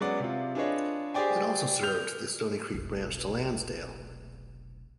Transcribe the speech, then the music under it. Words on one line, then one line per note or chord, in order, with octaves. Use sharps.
It also served the Stony Creek Branch to Lansdale.
F#3 G#3 B3 C#4 D5 F#5
C3 F4
D4 F4 G#4 B4 C#5 D#5
G4 G#4 C5 D5 G5 G#5
F6 G6 F7
F1 B1